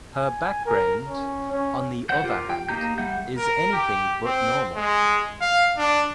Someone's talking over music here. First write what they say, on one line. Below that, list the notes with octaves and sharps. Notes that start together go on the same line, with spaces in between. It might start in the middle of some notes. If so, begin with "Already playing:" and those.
Her background, on the other hand, is anything but normal.
G#5
A#4
C#4
C#4
C5 F#5 G6
F4 G4 A#4
G5
A#3 D#4 G4 A#5 G6
G3 E5 F#5 G6
A#4
G4
C4
G#3
F5
D4